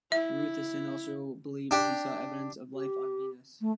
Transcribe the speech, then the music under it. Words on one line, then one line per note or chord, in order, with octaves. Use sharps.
Gruithuisen also believed he saw evidence of life on Venus.
E4 E5
D4 G4
G4
A3